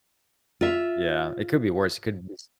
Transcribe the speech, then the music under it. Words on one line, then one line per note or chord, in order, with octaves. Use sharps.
Yeah, it could be worse, it could be s
F4 E5